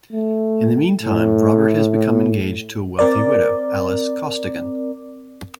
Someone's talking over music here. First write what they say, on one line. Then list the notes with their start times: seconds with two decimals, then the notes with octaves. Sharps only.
In the meantime, Robert has become engaged to a wealthy widow, Alice Costigan.
0.13 A3
1.02 A2
2.99 C4 A#4 D5